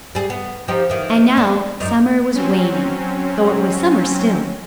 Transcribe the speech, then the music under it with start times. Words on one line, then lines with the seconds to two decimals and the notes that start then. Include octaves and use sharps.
And now summer was waning, though it was summer still.
0.15 G3 G#4
0.30 B3
0.68 F3 D#4 G4
0.90 D#3 E3
1.37 D4
1.80 F#2 D#4
2.35 F#3 C4 C#4